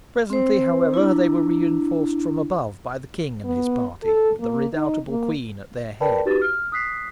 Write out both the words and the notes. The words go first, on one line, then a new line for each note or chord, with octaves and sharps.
Presently, however, they were reinforced from above by the king and his party, with the redoubtable queen at their head.
C4 C5
D4 E4
B3
A4
A#3
D#4
A#3
A#4 B4 D5 G5 A5 B5
D#4 F#4 G4 B4 A6
F6
D#6 F#6 B6 C7